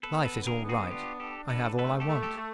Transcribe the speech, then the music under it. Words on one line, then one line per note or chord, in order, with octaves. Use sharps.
Life is all right; I have all I want.
B3 A4 B4
A4 B4
D3
G#4 A#4
B3
F#4 G#4
F#4
D4 F4 G4
D4 G4 A4
D3 A4 B4
A3 A4 B4
G4 A4
A3
G4 A4
A3